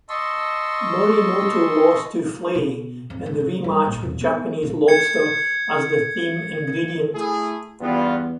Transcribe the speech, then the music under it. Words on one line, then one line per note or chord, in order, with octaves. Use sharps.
Morimoto lost to Flay in the re-match with Japanese lobster as the theme ingredient.
D#5 A5 C6 C#6 E6
B2
F2
C#2
C#3
G3
A#1
E1
B3
F4
G#6 C#7
A3 E4 G#4
E2 G2 B3 F4